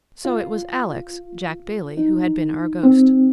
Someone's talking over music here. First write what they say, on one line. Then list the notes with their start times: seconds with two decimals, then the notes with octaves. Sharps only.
So it was Alex, Jack Bailey, who had been our ghost.
0.25 F4
1.97 D#4
2.83 C4